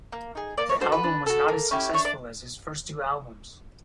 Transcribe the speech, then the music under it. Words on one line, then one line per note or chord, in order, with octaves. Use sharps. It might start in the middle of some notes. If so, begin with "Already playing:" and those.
The album was not as successful as his first two albums.
A#3
D#4 G#4
A#3 D5
C#5
D4 F#4 A4 C5
B4
D4
F#4 A4
A#3
C#4 E4 G4
D4 C#5
D5